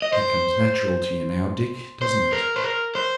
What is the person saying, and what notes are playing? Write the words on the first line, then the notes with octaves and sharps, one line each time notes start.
'That comes natural to you now, Dick, doesn't it?'
D#5
C5
C5
A#4
C5
A#4
C5